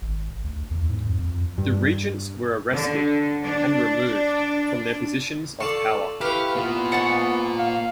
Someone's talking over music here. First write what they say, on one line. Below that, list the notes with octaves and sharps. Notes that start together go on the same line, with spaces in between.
The regents were arrested and removed from their positions of power.
G#1
D2
E2
G#2
F2
F2
G2
D3
D4
F4 A4 D5 C#6
E4 G4 B4 F5 C#6
A#3 B3 F4
G#2 F#5 A5 C#6
F5